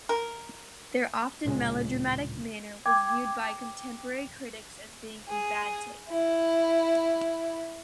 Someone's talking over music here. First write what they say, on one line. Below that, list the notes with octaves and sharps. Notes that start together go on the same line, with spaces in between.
Their often melodramatic manner was viewed by contemporary critics as being in bad taste.
A#4
D1 A#2 C#3 G#3
G5 D6 G#6
G#4
E4